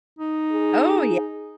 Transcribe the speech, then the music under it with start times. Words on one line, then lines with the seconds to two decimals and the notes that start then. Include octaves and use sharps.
Oh, yeah.
0.19 D#4
0.52 G#4